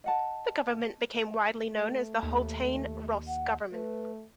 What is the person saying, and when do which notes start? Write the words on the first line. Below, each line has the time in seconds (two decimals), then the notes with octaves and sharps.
The government became widely known as the Haultain-Ross government.
0.04 D#5 F#5 A5
1.72 A3
2.23 D#2
3.28 F#5
3.72 A3 B4